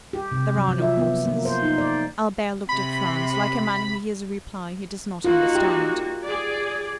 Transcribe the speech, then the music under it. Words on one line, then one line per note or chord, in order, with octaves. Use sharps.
"There are no horses." Albert looked at Franz like a man who hears a reply he does not understand.
G4
C3
F#3
F3
E5
B3
A#3
C5
D#4
D5
C3 B5
A#3 D#4 F4 F#4
G4
G#4 D5